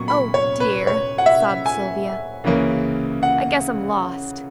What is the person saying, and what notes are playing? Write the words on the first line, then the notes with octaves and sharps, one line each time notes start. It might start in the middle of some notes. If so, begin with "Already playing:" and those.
"Oh, dear," sobbed Sylvia, "I guess I'm lost."
Already playing: A#2 F#3 B3 C#6
B5
C#5
B4
C#5
F#5
E5
G#5
C#2 C#3 E3 A#3 C#4
F#5